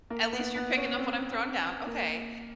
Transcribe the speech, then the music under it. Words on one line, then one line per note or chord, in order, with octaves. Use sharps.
at least you're picking up what I'm throwing down, okay.
A#3
B3
B3
C#4
C4
A#3